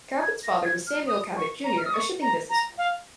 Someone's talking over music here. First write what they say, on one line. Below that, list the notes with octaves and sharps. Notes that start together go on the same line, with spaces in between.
Cabot's father was Samuel Cabot Junior a shipping businessman.
G#6
A#6
G#6
F6
D#6
C#6
A#5
F6
D#6
C#6
A#5
A#5
F5